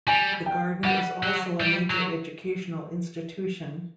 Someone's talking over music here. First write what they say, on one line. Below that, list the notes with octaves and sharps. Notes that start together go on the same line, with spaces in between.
The Garden is also a major educational institution.
G3 G#5
G5
G3 F#5
F#3
G3
F#3